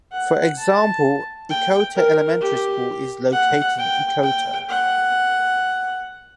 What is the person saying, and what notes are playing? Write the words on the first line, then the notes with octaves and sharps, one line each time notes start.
For example, Ekota Elementary School is located in Ekota.
F#5
A5
G5
A#4
G4
F#5
G5
G5
F#5